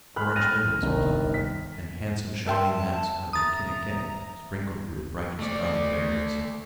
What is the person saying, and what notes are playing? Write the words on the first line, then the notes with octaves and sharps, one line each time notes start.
Orange lilies are plentiful, and handsome shining mats of the kinnikinic, sprinkled with bright scarlet berries.
B5 F6 F#6
F6 A6 A#6 D#7
G1 C2 D#3
B6
A#4 E5 G5 A5 C6
A#5 D#6 A6
A3 D5